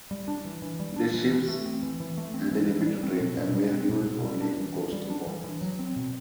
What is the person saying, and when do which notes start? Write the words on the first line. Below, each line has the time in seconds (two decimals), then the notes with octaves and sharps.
These ships had a limited range and were used only in coastal waters.
0.11 G3
0.28 D4
0.45 E3
0.62 E3
0.79 G3
0.96 D4
1.14 E3
1.31 E3
1.48 A3
1.66 C4
1.83 E3
2.00 E3
2.17 A3
2.34 C4
2.51 E3
2.69 E3
2.86 G3
3.03 C4
3.20 B2
3.38 B2
3.55 G3
3.72 C4
3.89 B2
4.06 B2
4.24 G3
4.41 D4
4.58 E3
4.76 E3
4.92 G3
5.10 D4
5.27 E3
5.44 E3
5.61 F#3
5.79 C4
5.96 B2